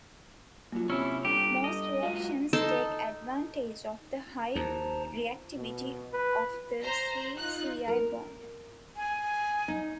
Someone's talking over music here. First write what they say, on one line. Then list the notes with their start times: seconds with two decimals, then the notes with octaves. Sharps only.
Most reactions take advantage of the high reactivity of the C-Cl bond.
0.72 G2 F#3 A#3 F4
0.90 C3 C4 C#4 E4 G4 C#5 E6
1.25 G3 D4 G4 A4
1.64 D#5
2.02 G#3 F4 F#4 F5
2.53 D#4 A4 C6
4.55 D#2 C5 A5 A#5
5.57 B2
6.12 B4
6.82 C5 A#5
7.37 D#4 F4 F#6
7.88 A#4
8.96 G#5
9.68 D#4